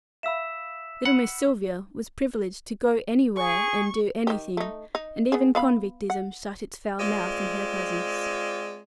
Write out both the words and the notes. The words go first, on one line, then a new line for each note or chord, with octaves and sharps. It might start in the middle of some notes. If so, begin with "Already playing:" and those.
Little Miss Sylvia was privileged to go anywhere and do anything, and even convictism shut its foul mouth in her presence.
E5 F5 B5 E6 B6 E7
F#5 B5
G#4 C#6
D#3 G4
A3 D#4
D#4
B3 G#4
B3 F5 B5
F#5
G#3 C4 F4 D5